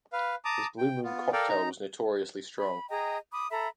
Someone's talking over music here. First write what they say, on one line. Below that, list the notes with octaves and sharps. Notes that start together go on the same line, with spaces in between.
His Blue Moon cocktail was notoriously strong.
B4 F5
A5 A#5 D6 D#6
G5
B3 F4
A4 A#4 D5 F5 G5
D#4 A#5
B5
G#4 D#5 G5 A#5
B5 D6 D#6
A4 E5 A#5 B5